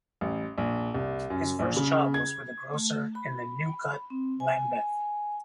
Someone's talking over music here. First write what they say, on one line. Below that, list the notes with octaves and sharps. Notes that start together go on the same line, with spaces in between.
His first job was with a grocer in the New Cut, Lambeth.
A1
A#1
C2
F#2
A#1
C#3
G#6
A3
B5
C4
G#5